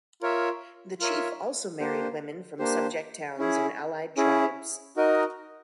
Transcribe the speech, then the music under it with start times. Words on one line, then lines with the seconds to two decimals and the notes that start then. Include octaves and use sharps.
The chief also married women from subject towns and allied tribes.
0.22 F4 A#4 C#5 E5
1.00 F4 A#4 C#5 E5
1.80 A#3 D4 G4 C5
2.59 A#3 D4 G4 C5
3.38 C#4 E4 G#4
4.17 C#4 E4 G#4
4.96 D#4 F#4 A#4 D#5